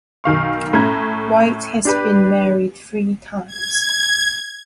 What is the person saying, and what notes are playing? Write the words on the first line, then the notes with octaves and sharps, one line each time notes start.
White has been married three times.
B1 D#3 F5 C#6
A2 A3 C#4 A#5 G#6
D4 G4 B4
G#6